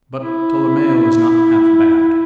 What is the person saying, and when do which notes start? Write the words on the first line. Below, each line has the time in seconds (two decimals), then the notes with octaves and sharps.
But Tolomeo is not half bad.
0.21 E4
1.96 E4